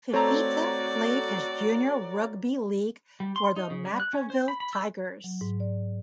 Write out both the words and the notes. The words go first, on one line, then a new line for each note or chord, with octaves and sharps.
Fifita played his junior rugby league for the Matraville Tigers.
A3 C4 F#4 A4 C#5 D5 G5 A#5
G3
C6
D#4
C#3
G3
F#6
C#4
C5
B5
B5
E6
F#3
G#2
D5